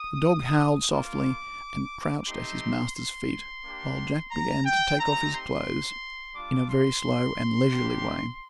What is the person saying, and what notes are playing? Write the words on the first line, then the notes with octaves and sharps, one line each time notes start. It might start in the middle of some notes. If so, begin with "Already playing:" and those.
The dog howled softly and crouched at his master's feet, while Jack began to take off his clothes in a very slow and leisurely way.
Already playing: D#6
A#3 F4 D6
A3 C4 D#4 G4 C6
C6
A#3 D4 G4
A#5
G5
A3 C4 D#4 G4 A#5
C6
G3 D4 F4 D6
C6
A#3 D4 G4